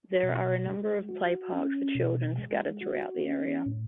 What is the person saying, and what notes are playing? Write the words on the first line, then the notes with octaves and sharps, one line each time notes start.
There are a number of play parks for children scattered throughout the area.
B2
G#3
F#4
C#4
B2
G#3
F#4
C#4
A2